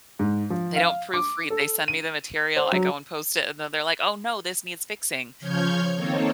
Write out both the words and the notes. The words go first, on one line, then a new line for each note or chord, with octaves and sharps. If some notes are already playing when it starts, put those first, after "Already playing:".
They don't proofread, they send me the material, I go and post it, and then they're like, "Oh, no, this needs fixing,"
G#2
F3
F5
D6
A4
D#7
C5
F#3
C#3 F3 C#5 F6 G6 G#6
D#3 A#3 C4 D#4 A4 C#5